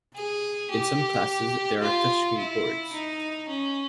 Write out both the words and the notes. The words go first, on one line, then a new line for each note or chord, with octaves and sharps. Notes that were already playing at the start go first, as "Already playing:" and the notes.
In some classes, there are touchscreen boards.
G#4
G4
F4
E4
D#4
C#4